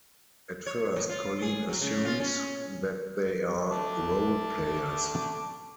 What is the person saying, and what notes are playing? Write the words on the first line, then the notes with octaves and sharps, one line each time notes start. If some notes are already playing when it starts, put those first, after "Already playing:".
At first Colleen assumes that they are role-players.
C#5
A2
F4
G#4
F#3
C#3
F4
C#4
A3 A5 D6